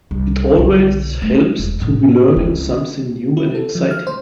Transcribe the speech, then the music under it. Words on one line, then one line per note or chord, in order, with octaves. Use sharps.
It always helps to be learning something new and exciting.
C2
B1 D3
A3
E1
A2 C3
C#2 C4
E4
A4
F3
F6
C5